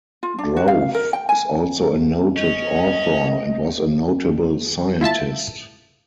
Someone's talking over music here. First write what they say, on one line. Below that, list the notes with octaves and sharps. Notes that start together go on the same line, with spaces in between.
Grove is also a noted author and was a notable scientist.
F4
D4
F#4
F5
A#4
G5
G#5
C#4 D#5
E4 F4 E5 A5